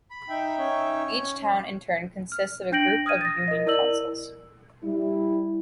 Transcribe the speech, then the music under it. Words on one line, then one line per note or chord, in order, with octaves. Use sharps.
Each town in turn consists of a group of union councils.
B5
D#4 E5 G5
C#4
F6
D4 G5 G6 A#6 D7 F#7
D#6 F6 G#6 D#7
A6 A#6
A#4 D#5
E4 A#4 D5 E6 F#7
G3 E4